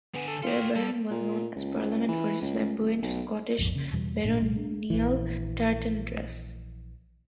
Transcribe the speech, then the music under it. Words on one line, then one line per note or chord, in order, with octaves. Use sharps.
Fairbairn was known at Parliament for his flamboyant Scottish baronial tartan dress.
D3 B3 G#5
A4
F4 A4 G5
G3 A4
A#2
C#2
E3
C#2
D#1
B1
A#1 F2 G#2
C#3
E2 B2 E3 G3
G#1 A#2 G#3 D4
C2 A#2 G3 A3
D4
A#1 E3